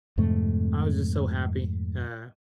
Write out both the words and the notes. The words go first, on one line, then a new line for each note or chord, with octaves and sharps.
I was just so happy. Uh,
F2 G#2 C3 A3